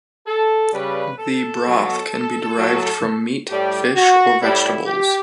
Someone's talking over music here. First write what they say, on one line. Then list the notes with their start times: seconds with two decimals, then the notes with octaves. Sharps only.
The broth can be derived from meat, fish, or vegetables.
0.27 A4
0.73 C#3 G3 B4
1.19 A4
1.65 B2 F#3
2.56 A2 F#3
3.48 A2 G3 G4
3.95 F#4
4.40 A2 G3 E4
4.86 G4